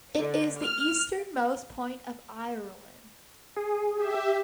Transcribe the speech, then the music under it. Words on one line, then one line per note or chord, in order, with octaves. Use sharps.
It is the easternmost point of Ireland.
D3
F6
G#4
G4 E5